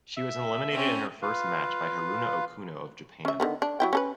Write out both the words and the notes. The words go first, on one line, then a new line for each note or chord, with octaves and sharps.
She was eliminated in her first match by Haruna Okuno of Japan.
E5
C4 C#4
F4 B4 F5
C#4 E5
D3 D#3 B3
D4
F#3 E4 G5
C#4 A4 B4